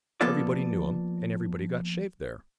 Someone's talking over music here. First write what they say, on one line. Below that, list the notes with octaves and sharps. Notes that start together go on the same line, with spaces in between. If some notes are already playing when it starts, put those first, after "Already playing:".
Everybody knew him and everybody got shaved there.
F3 A#3 B3 F4 A4 D5